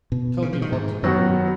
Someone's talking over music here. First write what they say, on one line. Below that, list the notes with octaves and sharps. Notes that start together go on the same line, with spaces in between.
Tell me what to do!...
B2
C#3
F3
D#3
G#2
F#2 D#3 F#3 B3 F#4